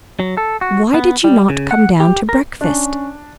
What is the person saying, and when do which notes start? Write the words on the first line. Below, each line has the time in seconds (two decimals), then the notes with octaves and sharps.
Why did you not come down to breakfast?
0.20 F#3
0.37 A4
0.61 F#4
0.94 B3
1.24 G3
1.49 C#3
1.71 F#5
2.00 G4
2.29 A#4
2.61 C#4 D4